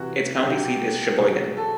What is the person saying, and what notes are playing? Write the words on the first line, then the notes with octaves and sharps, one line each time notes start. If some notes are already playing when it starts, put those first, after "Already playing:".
Its county seat is Sheboygan.
Already playing: C3 E3 G3 F#4
B2 F#3 G4
B2 F#3 G#4
A4